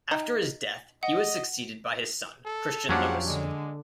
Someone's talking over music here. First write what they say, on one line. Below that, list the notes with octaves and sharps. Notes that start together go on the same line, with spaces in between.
After his death, he was succeeded by his son Christian Louis.
D#4
D#5 F#5
A4
F2 F3 F#3 A#3 C#4 D4 G4 F#5
D3 G#3